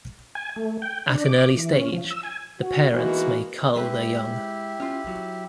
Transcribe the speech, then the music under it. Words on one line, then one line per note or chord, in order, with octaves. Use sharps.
At an early stage, the parents may cull their young.
G#5
A3
G5
D4
D6
E3
C#4
F3
E6
G#5
F#4
E3 G#3 A#3 B3 D#4 F#4
G#3 C4 E4 G4 B4
C#4 F4
F#3